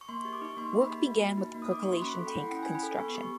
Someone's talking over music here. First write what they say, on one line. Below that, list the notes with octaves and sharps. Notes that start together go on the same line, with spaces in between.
Work began with the percolation tank construction.
C#6
A#3 C6
G4 C#6
D6
D#4 C#6
A#3 C6
A#3
B5
G4
A#3
F#4
D#4
A#3
D#6
A#3 D6
F#4 C#6
C6
C#4 B5
B5
A4
G5
E4 F#5
C#4 G5
C#4 G#5
B5
A4
B3 C#6
G4 C#6